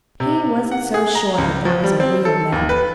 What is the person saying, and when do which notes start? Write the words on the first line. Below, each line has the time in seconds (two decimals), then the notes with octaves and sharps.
He wasn't so sure that that was a real nap.
0.20 C3
0.72 F#5
0.94 G#4
1.15 A#5
1.38 C#2
1.65 F3
1.84 G3
2.00 C4
2.25 A4
2.52 D#2
2.69 B4